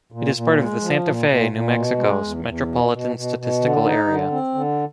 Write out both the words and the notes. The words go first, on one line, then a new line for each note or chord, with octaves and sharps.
It is part of the Santa Fe, New Mexico Metropolitan Statistical Area.
A#2
A#2
G#3
F3
A#2
A#2
A#2
B2
G#3
E2
E2
B2
B2
B2
B2
D3
D#4
D3
C4
D3